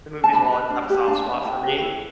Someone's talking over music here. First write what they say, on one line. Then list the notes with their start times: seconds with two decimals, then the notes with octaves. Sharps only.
the movies will always have a soft spot for me.
0.24 A5
0.33 D4 B5
0.52 B4
0.70 D4
0.90 G4 B4
1.08 D4 A5
1.26 B4 D5
1.45 E4 G5
1.64 G4 B4
1.82 E4